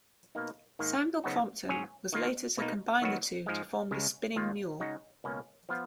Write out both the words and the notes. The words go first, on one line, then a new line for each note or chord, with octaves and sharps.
Samuel Crompton was later to combine the two to form the spinning mule.
B2 A#3 D#4
G#2 D#3 A#3
C#3 F#3 B3 D#4 F#4
G#2 F#3 C#4 G#4 C#5
D#3 A#3 F4
B2 A#3 D#4
D#3 F#3 B3 F#4
G#2 F3 G#3
C#2 C#3 G#3
D#2 D#3 A#3 F4
C#3 G#3 D#4 F#4
C#2 B2 A#3 C#4
F3 B3 F4